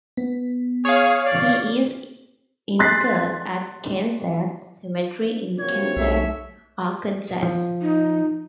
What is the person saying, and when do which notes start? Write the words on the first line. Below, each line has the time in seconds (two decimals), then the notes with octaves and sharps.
He is interred at Kensett Cemetery in Kensett, Arkansas.
0.17 B3
0.85 G#4 C#5 F5
1.26 D5
2.79 C6 F#6 A6 B6 C7
5.60 C3 F#3 A#3 C#5 G#6
5.97 B1 E5
7.43 F3
7.82 D#4